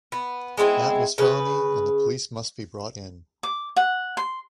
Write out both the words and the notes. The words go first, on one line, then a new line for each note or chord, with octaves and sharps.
That was felony, and the police must be brought in.
B3
G#3 B3 C4 E4
C#3 B4
D6
F#5
C6